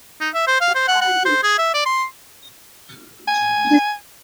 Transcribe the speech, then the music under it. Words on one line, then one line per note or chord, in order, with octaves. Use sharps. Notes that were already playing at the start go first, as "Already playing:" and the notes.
Alexander Whitaker converted Pocahontas to Christianity during her captivity.
D#4
E5
C5
F5
C5
F#5
F#5
C5
G#4
E5
D5
C6
G#5